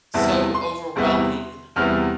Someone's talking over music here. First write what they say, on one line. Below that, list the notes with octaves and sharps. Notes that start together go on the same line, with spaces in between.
so overwhelming
E2 C3 G3 B3 E4 A5
C6
E2 C3 G3 B3 E4
E2 C3 G3 B3 E4 F6